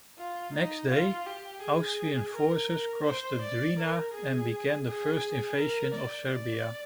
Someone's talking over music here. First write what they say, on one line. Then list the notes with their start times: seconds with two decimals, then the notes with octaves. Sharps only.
Next day, Austrian forces crossed the Drina and began the first invasion of Serbia.
0.18 F4
0.54 D#4
0.91 F4
1.26 G4
1.62 G#4
2.33 A#4
2.69 A#4
3.06 C5
3.42 D5
3.78 A#4
4.13 G#4
4.86 G#4
5.57 A#4
5.94 D5
6.29 D5